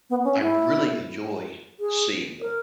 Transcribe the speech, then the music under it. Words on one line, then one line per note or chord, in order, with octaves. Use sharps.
I really enjoy seeing them.
B3
C#4
E4
G#4
A#4